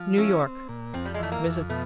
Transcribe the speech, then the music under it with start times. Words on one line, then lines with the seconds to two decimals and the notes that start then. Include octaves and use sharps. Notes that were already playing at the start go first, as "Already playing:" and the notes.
New York-Mrs.
Already playing: F3
0.18 C#4 E4
0.42 C4
0.69 A#2
0.94 F2 C4
1.05 G3
1.14 G#3
1.19 E3 A3
1.32 A#3
1.45 F2
1.69 B2 A3